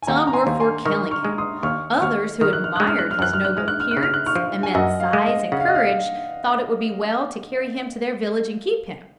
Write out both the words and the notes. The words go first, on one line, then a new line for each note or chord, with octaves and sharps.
Some were for killing him; others, who admired his noble appearance, immense size, and courage, thought it would be well to carry him to their village and keep him.
G#5
D#2 F#5 A#5
A#5
G#5 C6
D#2
G#5 C6
D#3 C#6 F6
C#6 F6
G#3
C6 D#6
D#2 C#6 F6
D#2 C#6 F6
D#3 F6
F#6
F6
G#3 F#6
F6
F#6
F6
F#2 F#6
F6
F#6
G#3 F6
F#6
F6
F#6
C#3
F6
F#6
C#6 F6
F3
G#5
F#2 D#5 F#5
F5
G#3
D#5
C#3 F#5
F5
D#5
F5